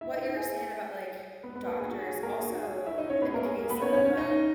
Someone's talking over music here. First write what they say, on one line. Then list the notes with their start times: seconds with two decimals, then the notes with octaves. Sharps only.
what you were saying about, like, doctors, also, in the case of, um,
0.01 E4 E5
0.12 D#4 D#5
0.25 E4 E5
0.36 G#4 G#5
1.43 B3 B4
1.56 B3 B4
1.67 A#3 A#4
1.80 G#4
1.91 F#4
2.07 G#4
2.23 A#3 A#4
2.39 G#4
2.50 F#4
2.63 G#4
2.86 E4 E5
2.98 D#4 D#5
3.10 C#4 C#5
3.22 B3 B4
3.34 A#3 A#4
3.45 G#4
3.57 A#3 A#4
3.69 B3 B4
3.81 C#4 C#5
3.93 C#4 C#5
4.05 C#4 C#5
4.17 D#4 D#5